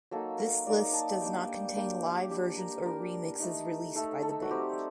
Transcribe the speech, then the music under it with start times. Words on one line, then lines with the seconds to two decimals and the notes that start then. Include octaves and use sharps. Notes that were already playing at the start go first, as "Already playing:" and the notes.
This list does not contain live versions or remixes released by the band.
0.11 F#3 A#3 D#4 A4
0.39 A#4
0.67 F#3 A#3 D#4 D5
0.93 A5
1.21 G3 A#3 D4 G5
1.49 G5
1.76 G3 A#3 D4 G5
2.13 G4
2.31 G3 D4 G4
2.58 A#4
2.86 G3 D4 A#4
3.40 A3 D#4
3.95 A3 D#4 A4
4.23 A4
4.42 F#4
4.50 G3 C4 D#4 G4